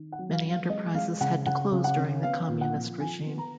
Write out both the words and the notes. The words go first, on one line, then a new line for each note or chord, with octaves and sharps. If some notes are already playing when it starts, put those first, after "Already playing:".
Many enterprises had to close during the communist regime.
Already playing: D#3
F#5
F#3
F5
F#3
F5
G#3 D#5
G#3 F5
C#3 F#5
C#3 F#5
C#3
F#5
C#4
B3 F5
A#2
F#5
F3
F3 G#5
B3
A#5